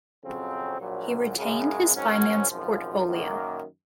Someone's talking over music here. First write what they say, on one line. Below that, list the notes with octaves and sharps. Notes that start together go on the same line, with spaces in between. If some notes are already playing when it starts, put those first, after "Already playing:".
He retained his finance portfolio.
F2 C#3 F#3 C4
A#1 A#2 F#3
F#2 C#3 G#3
G#1 G#2 F#3 C#4
G#1 F#2 F3
F#2 D#3 A#3